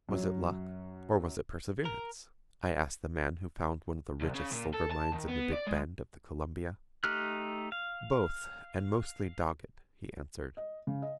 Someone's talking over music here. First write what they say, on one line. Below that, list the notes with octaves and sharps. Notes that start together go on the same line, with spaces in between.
'Was it luck or was it perseverance?' I asked the man who found one of the richest silver-mines in the Big Bend of the Columbia. 'Both and mostly dogged,' he answered.
F#2 F#3
A#4
C2
C#3
A#2
A4
A5
D#3
B3
D5
G#3
A3 D#4 G4 F6 F#6
F5
D#5
C#3
D#5